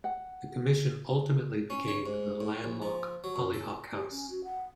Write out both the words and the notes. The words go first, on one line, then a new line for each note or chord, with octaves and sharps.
This commission ultimately became the landmark Hollyhock House.
F#5
C#4
C#5
G#2
A2
A#1
F3
F#3
F#2
A4
G4
C#4
F#4
F#5